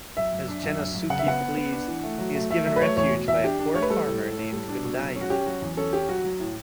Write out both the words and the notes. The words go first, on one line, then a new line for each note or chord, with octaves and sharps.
As Gennosuke flees, he is given refuge by a poor farmer named Gundayu.
F#2 E5
F#2
D4
F#2
F#2
F#2
C#3 F#5
E5
B3 F#5
B3
B3
D4
E3
A3
F#3
A3
A3 E5
F#3 E5
B4
A3 C#5
E2 C#5
B2
E2 E5
D4 G4
D4
A3 C#5
B4
G3 A4
A2
A2
A2
G3
D4
B2
F#3
C#4
F#4
C#4 G4
F#3 F#4
E2
C#4 A4
C#4 G4
F#3 F#4
F#3
A2